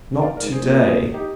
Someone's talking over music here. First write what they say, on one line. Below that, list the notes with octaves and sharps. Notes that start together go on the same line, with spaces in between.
"Not to-day."
D3
D#3 D5 F5
A#4 D5
G#2
G#4 C5
A#2
G4 A#4
F4 G#4
D#4 G4